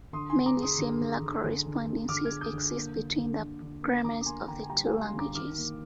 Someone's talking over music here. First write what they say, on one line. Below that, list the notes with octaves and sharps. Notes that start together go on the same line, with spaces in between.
Many similar correspondences exist between the grammars of the two languages.
D3 C6 D#6
G#5 C6
D3
A#5 D6
G#3
C6 D#6
D3
D3
D3
D3
D3
D3
D3 D6 F6
F6 G#6
G#3
D#6 G6
D3
A#3
D3
D3
D3
D3
A#3
D3 A#5 D6
D6
A#3 G#5 C6
D3 G5 A#5
G#5
G3 G5 A#5
F5 G#5
G3
G#5 C6
D3
A#5 D6
D#3 D6 F6
A#3